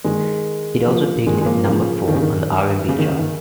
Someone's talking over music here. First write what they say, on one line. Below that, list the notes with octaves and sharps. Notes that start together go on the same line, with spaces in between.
It also peaked at number four on the R and B chart.
D#3 G#3
F3 A#3
D#3 G#3
G#3
F3 A#3
C#3 F3
D#3
C#3
D#3
C#3
D#3
C#3
D#3